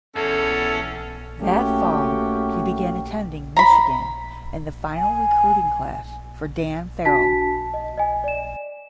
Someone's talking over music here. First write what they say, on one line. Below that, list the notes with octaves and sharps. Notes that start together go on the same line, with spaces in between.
That fall he began attending Michigan in the final recruiting class for Dan Farrell.
E2 C#4 A4
A3 A#3 C#4 F#4 G4
A#5 B5
G#5
D4 F#4 A5 B6
D#5
D#5 G#5
D5 E7